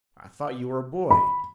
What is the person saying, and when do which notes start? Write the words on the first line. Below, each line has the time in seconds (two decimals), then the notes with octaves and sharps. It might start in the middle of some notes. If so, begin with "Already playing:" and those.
"I thought you were a boy."
1.10 B5